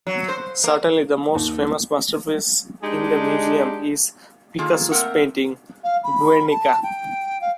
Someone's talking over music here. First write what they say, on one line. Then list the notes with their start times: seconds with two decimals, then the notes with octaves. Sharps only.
Certainly, the most famous masterpiece in the museum is Picasso's painting "Guernica".
0.07 F#3
0.29 C5
0.64 A#3
1.35 D#2
2.83 G#3 D4 D#4 G4 G#4
4.58 D#3 A#3 F4 G#4 A4
4.92 A3 A#3 C4 A#4 F#5
5.83 F5
6.03 B5
6.51 A5
6.83 G5
7.41 F5